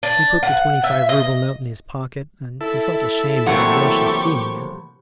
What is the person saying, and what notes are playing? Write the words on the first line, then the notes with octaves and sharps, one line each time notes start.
He put the twenty-five rouble note in his pocket and he felt ashamed at Alyosha's seeing it.
D4
F#5
E5
D#5
E4 A4
A2 C3 E3 F#3 A#3 G4 F#5 C#6